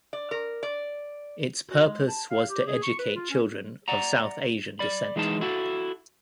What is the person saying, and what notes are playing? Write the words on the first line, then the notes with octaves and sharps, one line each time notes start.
Its purpose was to educate children of South Asian descent.
D5
A#4
D5
F#4
G#3
A5
F5
G4
G#4
C#6
B4
F4
C#4
D5 F#5 A#5
D5 B5
E3 G#3 D#4 A5
E4 F#4 A4